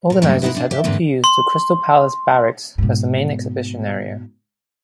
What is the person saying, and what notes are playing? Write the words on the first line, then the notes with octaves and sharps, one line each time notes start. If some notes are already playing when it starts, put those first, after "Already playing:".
Organizers had hoped to use the Crystal Palace Barracks as the main exhibition area.
A#2 A#4
F#2 A2 C3 G3 A3 A#3
G#3 A#3 D#4 E4 F#4
C4 D4
G4 E5
E2 G#2 D3 A3 A#3 C4
C6
G#2 B2